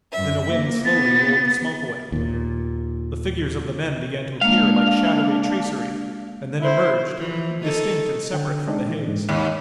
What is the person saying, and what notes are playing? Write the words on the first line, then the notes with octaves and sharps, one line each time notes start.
Then a wind slowly rolled the smoke away. The figures of the men began to appear like shadowy tracery, and then emerged, distinct and separate from the haze.
F#2 E5
A#3
B3 A6
D#2 A#2
G#3 A#3 D4 F5
E4 C5
E3 F3
D#3 D#4 A4
D3 G5
G#3 D4 D#4
A#2 E3
G#2
D#2